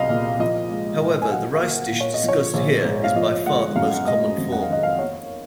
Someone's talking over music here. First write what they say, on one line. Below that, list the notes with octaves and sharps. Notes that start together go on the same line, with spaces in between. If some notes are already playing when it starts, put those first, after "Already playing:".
However, the rice dish discussed here is by far the most common form.
Already playing: C2 F#3 D#5 F5
A#2
F3 D#5
G#3
A#2
G#5
F#3 F#5
F5
A#3
A#2
C#5
D#5
F3 C#5
A#1
G#2
F5
F3 D#5
G#3 F#5
F#2 F5
G#3 D#5
F2
F#5
F5
D#3 D#5
F5
A#3 C#5